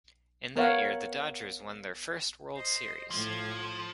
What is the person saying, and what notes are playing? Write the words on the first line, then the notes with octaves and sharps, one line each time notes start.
In that year, the Dodgers won their first World Series.
B3 A#4 C#5 F5 F#5
C5 D#5
A2 F3 G#6